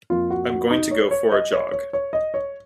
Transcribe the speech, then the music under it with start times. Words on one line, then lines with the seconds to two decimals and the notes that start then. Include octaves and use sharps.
I'm going to go for a jog.
0.10 F2 F3 A#3 F4
0.30 F#4
0.50 F#4
0.71 D#4
0.91 C#5
1.11 C#5
1.32 D#5
1.53 C#5
1.72 C#5
1.93 C#5
2.13 D#5
2.34 C#5